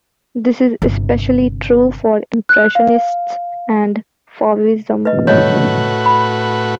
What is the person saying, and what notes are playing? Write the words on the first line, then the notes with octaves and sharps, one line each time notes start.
This is especially true for Impressionists and Fauvism.
G1 C3
F#6
F5
B4 D#5
A2 F#4 B4 C#5 D#5
B5